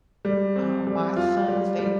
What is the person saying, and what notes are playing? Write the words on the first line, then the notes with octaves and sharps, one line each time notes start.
Um, my sons, they
G3
C4
G3
F4
G3
G3